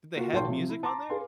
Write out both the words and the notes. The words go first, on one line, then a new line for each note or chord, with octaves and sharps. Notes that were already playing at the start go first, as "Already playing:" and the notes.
Did they have music on there?
A#3 F4 F#4
B1 F#4 C#5 G5 A5 C6
C3 F3
E4
A5 A#5 C6 D6
G#4 B4 F5 G#5 C6